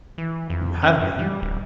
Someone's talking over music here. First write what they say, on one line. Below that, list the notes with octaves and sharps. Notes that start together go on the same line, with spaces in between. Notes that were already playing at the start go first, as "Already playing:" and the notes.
"You have been."
E3
F2
C#4
F#2
G3
D1